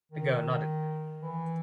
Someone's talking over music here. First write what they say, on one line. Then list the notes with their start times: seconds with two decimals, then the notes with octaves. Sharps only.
The girl nodded.
0.12 D#3
1.22 E3